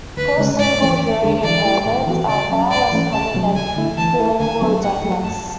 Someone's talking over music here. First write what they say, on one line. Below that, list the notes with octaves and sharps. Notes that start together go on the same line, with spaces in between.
Post-lingual hearing impairments are far less common than prelingual deafness.
D2 B4
C#3 G#3 C#4
G#2 D5
E3 A3 C#4
E2
D3 G#3 D4 G#4
E3 D5
A3 E4
A2
E3 B3 F#4 A4
C#3 D5
F#3 C#4
G#2 D5
E3 A3 C#4
C#2 A5
B2 F#3
D2 G#5
D3 A3 E4
E3 A5
A3 E4 A4
D3 G#5
F#3 B3 D4
A2 F#5
F#3 A3
F#2 A5